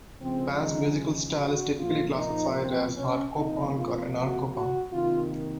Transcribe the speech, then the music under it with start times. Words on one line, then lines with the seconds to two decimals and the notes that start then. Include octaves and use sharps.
The band's musical style is typically classified as hardcore punk or anarcho-punk.
0.21 C#3 F3 G#3 C4
0.60 D#4
1.38 F#4
1.78 A#2 F3 A#3 F4
2.17 D#4
2.57 C4
2.96 C#4
3.36 C3 F3 A#3 D#4
3.74 F4
4.14 F#4
4.53 F#4
4.92 C3 D#3 A#3 F4